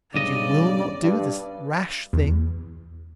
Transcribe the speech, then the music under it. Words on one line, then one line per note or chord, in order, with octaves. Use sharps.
"And you will not do this rash thing?"
B1 G2 C#3 D5 D#5
G2
E2